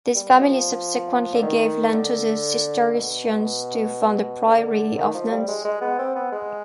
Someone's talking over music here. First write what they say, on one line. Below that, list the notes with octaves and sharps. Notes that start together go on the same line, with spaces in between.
This family subsequently gave land to the Cistercians to found a priory of nuns.
G3
G3
F3
D3
D#3
D3
B2
D3
D#3
F3
G3
G#3
G#3
B3
C4
B3
G#3